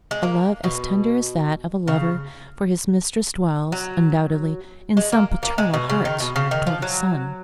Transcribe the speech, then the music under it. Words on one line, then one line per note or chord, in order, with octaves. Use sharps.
A love as tender as that of a lover for his mistress dwells, undoubtedly, in some paternal hearts toward a son.
G#3
A#3
B2
C#3
F#3
G#3
A#3
A#3
G#3
B2
C#3
D#3
B2
C#3
D#3
F3
F#3